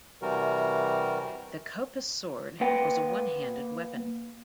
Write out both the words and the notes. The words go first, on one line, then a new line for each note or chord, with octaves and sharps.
The kopis sword was a one-handed weapon.
C3 E3 G3 F#4 A#4
A#3 B4 F#5 G5